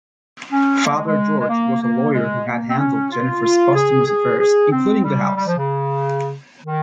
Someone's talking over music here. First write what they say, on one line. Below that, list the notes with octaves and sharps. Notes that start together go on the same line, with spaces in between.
Father George was a lawyer who had handled Jennifer's posthumous affairs, including the house.
C#4
A#3
G#3
G#3
G#3
A#3
A#3
G#3
A#3
C4
C#4
F4
F4
G#4
G#4
G#4
C4
G3
G3
F3
C#3
D#3